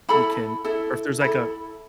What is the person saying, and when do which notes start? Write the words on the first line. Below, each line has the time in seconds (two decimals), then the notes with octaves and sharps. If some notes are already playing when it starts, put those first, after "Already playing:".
you can, or if there's like a
0.09 E4 A4 B5
0.65 E4 A4
1.20 E4 A4 B5